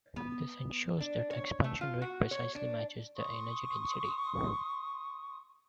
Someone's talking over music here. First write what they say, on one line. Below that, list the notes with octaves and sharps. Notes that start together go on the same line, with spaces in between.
This ensures that expansion rate precisely matches the energy density.
B3
D4
C#5
A3
F4
F#4
C#5
D4
C6 C#6 D#6